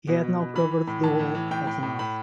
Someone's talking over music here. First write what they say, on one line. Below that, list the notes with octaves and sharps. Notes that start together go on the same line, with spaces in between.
He had now covered the whole of the north.
B2
B2
B2
E3 B5
E3
A2
E3 A5
A2
E3
A2 G5
A2
A2
A2 B5